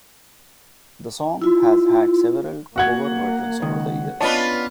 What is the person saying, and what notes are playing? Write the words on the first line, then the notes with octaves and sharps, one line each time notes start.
The song has had several cover versions over the years.
E4 F4
A#3 F#4 F#5 G#6
C#2 D#3
B3 C#4 D4 F4 B4 C#5 D#5 A5